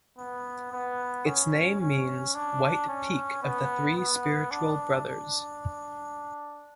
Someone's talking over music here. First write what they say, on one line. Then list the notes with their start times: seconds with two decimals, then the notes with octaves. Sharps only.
Its name means "White Peak of the Three Spiritual Brothers".
0.18 B3
0.73 B3
1.26 C#4
1.81 C#4
2.35 D4
2.88 C#4
3.43 B3
3.96 B3
4.51 D4
5.06 D4